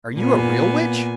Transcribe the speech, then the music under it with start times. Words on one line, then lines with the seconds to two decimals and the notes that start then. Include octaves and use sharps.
"Are you a real witch?"
0.16 A#2 A#3 B3 G#5